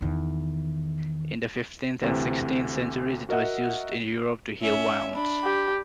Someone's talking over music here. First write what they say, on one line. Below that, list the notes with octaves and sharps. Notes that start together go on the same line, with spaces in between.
In the fifteenth and sixteenth centuries it was used in Europe to heal wounds.
E2 D#3
D2 C3 E3
F#4 A#4 D#5 E5 F#5
C#4 E5
D4 B5
G4